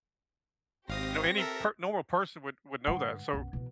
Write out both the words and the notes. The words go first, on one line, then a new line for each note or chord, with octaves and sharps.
you know any per normal person would would know that, so,
G#1 C4 G4 F5 D#6 A#6
A4 A#4 E5
G2 D3 F#5
B1 F#2
B2 E3